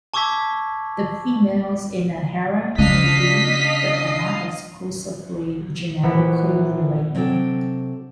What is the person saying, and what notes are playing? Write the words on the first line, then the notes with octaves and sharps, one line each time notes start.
The females in a harem may be, but are not exclusively, genetically related.
A5 C#6 D6 E6 G#6 B6
C#3 D4 D#5 F5 B6 C7
A#1 E3 F#5 B6
C3 F#3 D4 A4 G5